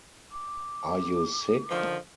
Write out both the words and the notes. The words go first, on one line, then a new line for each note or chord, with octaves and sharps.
Are you sick?
D6
D3 D#3 F3